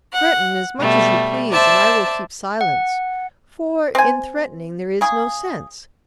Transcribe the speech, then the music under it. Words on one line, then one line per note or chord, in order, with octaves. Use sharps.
Threaten as much as you please, and I will keep silence; for in threatening there is no sense.
F#5
B2 G3 A3
C5 D5 E5 A5
F#5
C4 G#5
C#3 G#4